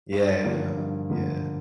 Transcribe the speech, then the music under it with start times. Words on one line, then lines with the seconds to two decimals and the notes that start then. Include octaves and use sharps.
Yeah, I know. Yeah.
0.12 G2
0.44 D3 F3 A#3
0.77 G2
1.10 D3 F3 A#3